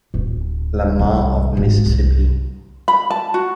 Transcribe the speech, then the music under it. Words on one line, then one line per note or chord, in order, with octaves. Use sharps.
Lamar of Mississippi.
D1
C2
G#1
C2
B5
A5
F#4